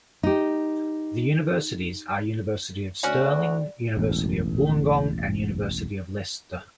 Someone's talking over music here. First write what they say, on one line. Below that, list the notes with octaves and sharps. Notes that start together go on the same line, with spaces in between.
The universities are University of Stirling, University of Wollongong, and University of Leicester.
D#4 G4
D2 C#4 F#4 D5
E1 A1